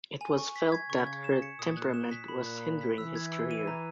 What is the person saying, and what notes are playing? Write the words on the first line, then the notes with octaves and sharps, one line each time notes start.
It was felt that her temperament was hindering his career.
G#5
C#6
B6
G#6
C#3 C#6
G#6
E7
C#7
A#2 D#6
F#6
E7
B6
A#2 B5
F#6
B5
B6
E3 E6
G#6
E6
D#7
A#5